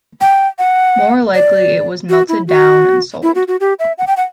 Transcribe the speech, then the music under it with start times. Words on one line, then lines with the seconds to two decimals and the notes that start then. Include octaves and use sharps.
More likely it was melted down and sold.
0.21 G5
0.59 F#5
1.35 D5
2.09 F#4
2.29 E4
2.47 F#4
3.23 E4
3.35 F#4
3.48 F#4
3.60 G4
3.79 E5
3.98 F#5
4.07 G5
4.17 F#5